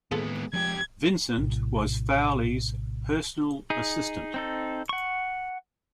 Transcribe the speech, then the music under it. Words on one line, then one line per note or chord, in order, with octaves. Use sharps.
Vincent was Fowley's personal assistant.
A2 D#3 G#3 A#3 B3 F4 G#4 A4
F2 F3 G#3 G4 G#6
A#1 A2 C3
D#4 G#4
C4 D#4 A4
F#5 C#6